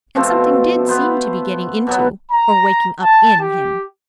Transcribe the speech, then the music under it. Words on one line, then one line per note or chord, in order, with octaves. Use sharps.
And something did seem to be getting into, or waking up in, him.
B2 F3 A3 C4
B3 C5 B5
B2 F#3 B3
A#5
A5
G4